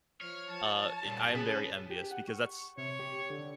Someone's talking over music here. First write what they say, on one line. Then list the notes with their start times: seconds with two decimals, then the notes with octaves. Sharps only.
uh, i I am very envious because that's
0.21 F3 C#5 F6
0.51 F3 A5
1.05 A#2 C#3 G3
1.35 B3 C#4 G#4
1.90 G4
2.11 F#5
2.28 C#6
2.78 C3 C#5
2.99 G4
3.30 D3